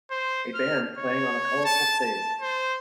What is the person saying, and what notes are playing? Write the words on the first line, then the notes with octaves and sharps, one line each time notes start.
A band playing on a colorful stage.
C5
F6
C#5
A5
A5
C5